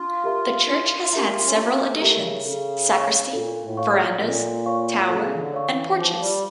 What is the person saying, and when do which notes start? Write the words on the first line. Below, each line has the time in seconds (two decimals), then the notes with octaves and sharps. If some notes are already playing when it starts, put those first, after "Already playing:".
The church has had several additions: sacristy, verandas tower and porches.
Already playing: D4 F4
0.24 G4 A#4 E5 A#5
0.68 D4 F4
0.98 F4
1.13 G4 A#4 E5 A#5
1.27 F4
1.46 C#4
1.57 A#3 D4
1.87 A3
2.01 G4 A#4 E5 A#5
2.16 C#3
2.45 C#3 A4
2.89 C#5 F5 C#6
3.33 A#2 A4
3.62 A2
3.77 C#5 F5 C#6
3.92 A#2
4.21 A#2 A4
4.66 C#5 F5 C#6
5.09 C#3 A4
5.35 E3
5.39 D3
5.54 C#5 F5 C#6
5.68 E3
5.98 F3 F4
6.20 G3